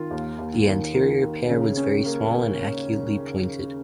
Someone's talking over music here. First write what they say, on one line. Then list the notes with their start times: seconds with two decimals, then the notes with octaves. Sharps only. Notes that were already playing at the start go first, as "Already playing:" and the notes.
The anterior pair was very small and acutely pointed.
Already playing: D#3 F4
0.11 D#2
0.39 D#2
0.67 D#3
0.94 D#3
1.22 D#3
1.50 C#3
1.77 C#4
2.06 A#3